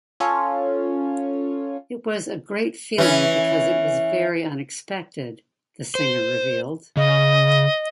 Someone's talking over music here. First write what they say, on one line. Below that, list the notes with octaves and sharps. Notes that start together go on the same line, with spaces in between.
It was a great feeling because it was very unexpected, the singer revealed.
C#4 F4 A4 C#5
E3 C#4
C5
C#3 D#5